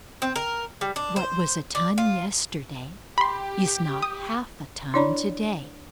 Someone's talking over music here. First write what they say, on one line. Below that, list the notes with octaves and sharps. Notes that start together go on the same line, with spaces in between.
What was a ton yesterday is not half a ton today.
C4
A#4
G3
D4
C5
D5
F4
G4 B5 C6
D#6
D4 E4 C#5 D5 A#5 B5